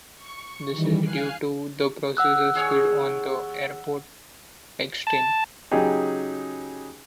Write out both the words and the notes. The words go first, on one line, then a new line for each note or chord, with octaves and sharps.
This is due to the processor speed on the AirPort extreme.
C#6
D#3 E3 G3
F5 G#5 F#6 C7
F#5 E6 F#6
D#2 G#4 C#5
A5
C#3 F#3 D#4 G4 G#4